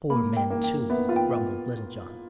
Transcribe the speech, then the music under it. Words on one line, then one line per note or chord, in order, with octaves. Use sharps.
"Poor men, too," grumbled Little John.
A#3 B5
G5
A#3
G5
B3 E5
F4
G5